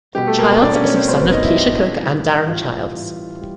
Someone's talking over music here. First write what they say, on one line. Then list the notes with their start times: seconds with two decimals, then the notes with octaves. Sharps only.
Childs is the son of Keisha Cook and Daron Childs.
0.15 B2 G3 G4
0.27 A3 A4
0.38 A#3 A#4
0.50 B3 B4
0.62 B2 G3 D4 D5
0.73 C#4 C#5
0.85 C#4 C#5
0.96 C4 C5
1.08 B2 G3 C4 C5
1.20 B3 B4
1.32 D#4 D#5
1.43 E4 E5
1.54 B2 G3
2.01 A2 E3 G3
2.48 A2 E3 G3 F4 F5
2.94 A2 E3 G3
3.41 G3